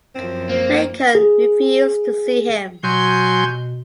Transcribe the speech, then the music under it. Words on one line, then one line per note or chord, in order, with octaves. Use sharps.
Macon refused to see him.
F#2 F3 C4
A#3 C5
G#4
B2 F#3 G#5 C6 G6